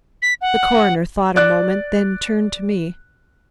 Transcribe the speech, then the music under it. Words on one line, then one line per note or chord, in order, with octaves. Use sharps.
The coroner thought a moment, then turned to me.
B6
F#5
D5 F#6